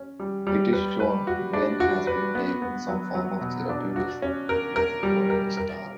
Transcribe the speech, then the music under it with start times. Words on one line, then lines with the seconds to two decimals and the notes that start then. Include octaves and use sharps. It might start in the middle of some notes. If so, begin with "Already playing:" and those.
It is shown Gwen has been taking some form of therapy with Tony Stark.
Already playing: C#4
0.20 G3
0.47 G3
0.73 B4
1.00 B4
1.27 F#4
1.53 D4
1.80 F#4
2.07 B4
2.35 B3
2.62 B3
2.88 F#3
3.15 F#3
3.41 B2
3.69 D4
3.96 F#4
4.22 C#4
4.49 A#4
4.76 A#4
5.03 G3
5.30 A#4
5.57 A#4